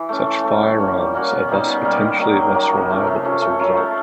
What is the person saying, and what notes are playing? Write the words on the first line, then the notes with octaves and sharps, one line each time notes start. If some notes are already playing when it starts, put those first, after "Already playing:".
Such firearms are thus potentially less reliable as a result.
Already playing: E3
A3 C#4
E3
A3 C#4
G3
A#3 C#4 F#4
G3
A#3 C#4 F#4
B2
G3 A#3 D#4
B2
G3 A#3 D#4
D#3
F#3 A#3
D#3
F#3 A#3
C3
F3 A3 C#4
C3
F3 A3 C#4
A3
C#4 F4 A#4
A3